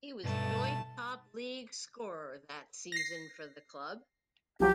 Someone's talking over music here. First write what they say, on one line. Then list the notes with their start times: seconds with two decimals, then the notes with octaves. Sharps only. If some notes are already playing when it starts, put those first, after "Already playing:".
He was joint top League scorer that season for the club.
0.24 B1 G2 A3 A5
2.92 A#6 C7
4.60 C2 F3 F#3 G4